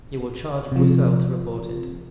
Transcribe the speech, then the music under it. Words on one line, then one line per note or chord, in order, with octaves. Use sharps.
You will charge Broussel to report it.
C3 F3